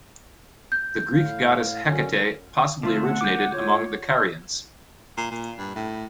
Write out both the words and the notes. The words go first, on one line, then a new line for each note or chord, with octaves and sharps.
The Greek goddess Hecate possibly originated among the Carians.
G6
A2 F5
F#2 D3 C#4
D3 F3 A3 C4 F4
F#5
D6 G6
F4 C#5
A#2
A#2
G2
A2